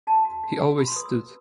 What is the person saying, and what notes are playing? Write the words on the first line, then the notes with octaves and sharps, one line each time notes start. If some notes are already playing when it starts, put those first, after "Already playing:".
He always stood.
F#4 A5
F#4
F#4
F#4
F#4 B5
C6
B4 D#6
E6
B4